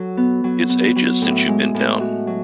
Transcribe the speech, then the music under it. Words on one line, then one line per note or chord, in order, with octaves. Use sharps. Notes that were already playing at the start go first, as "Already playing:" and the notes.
It’s ages since you’ve been down.
Already playing: F#3 A4
B3
F#3
B3
F#3
A2
G#3
A2
F#4
F#3